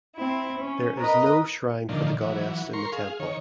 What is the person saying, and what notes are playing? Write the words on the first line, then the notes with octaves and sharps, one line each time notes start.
There is no shrine for the Goddess in the temple.
C4 E4
C#4
A#4 B4 D#5
A#2 D3 D#3 F3
E3 F#3
A#4 C6 C#6
G#4 F5
D#3 C#5